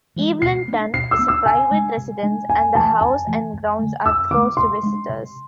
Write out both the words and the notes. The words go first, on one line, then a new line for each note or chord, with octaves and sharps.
Evelynton is a private residence and the house and grounds are closed to visitors.
E3 G#3
B2 C7
B3
D4
B2 C7
E6
B3 D4
E6
C3 G#5
G#3 D4
C3
G#3 D4
F2 G#5
C3 E3 A3 A5
F2 G#5
C3 E3 A3
F2
D3 A3
F2 E6
D3 A3 D6
C3 C6
G#3 D4
C3